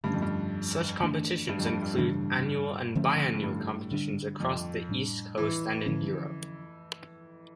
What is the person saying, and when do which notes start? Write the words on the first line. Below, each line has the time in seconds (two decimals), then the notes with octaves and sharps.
Such competitions include annual and biannual competitions across the East Coast and in Europe.
0.04 G2 D3 A3 C#4
0.13 F2
0.22 G2
1.01 E3 A3 D4
1.49 G2
1.59 F2
1.66 G2
1.82 G2
1.93 A2
1.98 G2 C#3 E3 G3 D4
2.95 D3 F3 A3 C#4
3.34 A2
3.43 G2
3.91 D3 G3 D4
4.40 F2
4.89 A2 G3 D4
5.38 E3
5.86 D3 F3 C#4